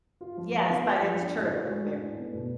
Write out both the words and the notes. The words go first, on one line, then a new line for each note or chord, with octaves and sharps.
Yes, but it's true, very.
F4
F3
F3
B3
F4
F3
D4
A2
F#4
G#3
D4
A2
B3
B2